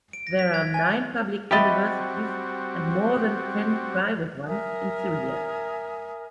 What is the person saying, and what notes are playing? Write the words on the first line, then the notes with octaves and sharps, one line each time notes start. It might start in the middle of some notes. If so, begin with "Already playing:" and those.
There are nine public universities and more than ten private ones in Syria.
D7
A#6
B6
G#6
G#5
G3 C4 F#4 G4 D#5 E5 B5 A6
A#4 E5 G#5 D#6